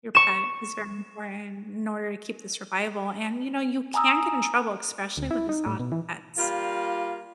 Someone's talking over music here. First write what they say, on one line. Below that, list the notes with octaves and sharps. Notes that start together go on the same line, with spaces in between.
your pet is very important in order to keep the survival, and you know, you can get in trouble, especially with exotic pets,
C#6 E7
G#5 A#5 D#6 E6
D2
E4
D#4
A2
B2
E3
G3 A#3 F4